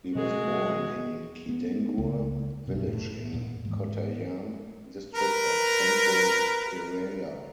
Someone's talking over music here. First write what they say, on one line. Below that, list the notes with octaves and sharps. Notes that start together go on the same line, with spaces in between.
He was born in Kidangur village in Kottayam district of central Kerala.
B2 F3 F#3 G#3 F#4 G#4
B3
C#2
B1 F#2 B2
A2
E1 A#2 A#3
G#2 E3
A#4 B4 A#5